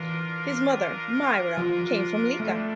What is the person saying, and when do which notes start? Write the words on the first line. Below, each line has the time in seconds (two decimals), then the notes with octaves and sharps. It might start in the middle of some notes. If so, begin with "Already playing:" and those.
His mother Mira came from Lika.
Already playing: E3 D4 F4 A#4
1.57 F3
2.40 G3 A3 D4 A4